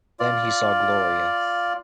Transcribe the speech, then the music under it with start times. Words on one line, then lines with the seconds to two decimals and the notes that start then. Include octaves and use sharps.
Then he saw Gloria.
0.20 F4 D5